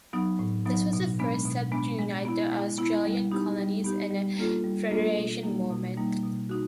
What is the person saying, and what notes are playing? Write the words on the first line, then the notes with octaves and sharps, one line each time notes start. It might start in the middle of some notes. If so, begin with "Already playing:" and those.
It was the first step to unite the Australian colonies in an federation movement.
F#3 B3 D#4
A2
F#3 B3 D#4
B2
G#3 B3 D4
B2
G#3 B3 D4
G#3
B3 E4
G#3
B3 E4
G3
B3 D#4 G4
G3
B3 D#4 G4
G3
A#3 D4 F4 A4
G3
A#3 D4 F4 A4
B2
G3 A#3 D#4
B2
G3 A#3 D#4
B2
D#4 F#4